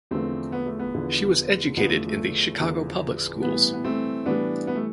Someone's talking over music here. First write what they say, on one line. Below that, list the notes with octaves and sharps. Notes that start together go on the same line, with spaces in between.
She was educated in the Chicago Public Schools.
E2 D3 F3 A3 C4
B3
A3
B3
E2 D3 F3
E2 D3 F3 B3
A3
A3
E2 D3 F3
A2 E3 G3 B3
B3
A3 C4
A2 E3 G3 B3 D4
B3
A3